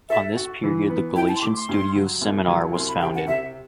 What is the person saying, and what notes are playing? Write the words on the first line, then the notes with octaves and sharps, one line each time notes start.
On this period the Galician Studies Seminar was founded.
A4 E5
F#4
E3
B3
E4 G5
A5
C6
A3 D6
C6
G2
F#3
C2
F#3
C2 C6
B5
C3 G5
F#5
C3 E5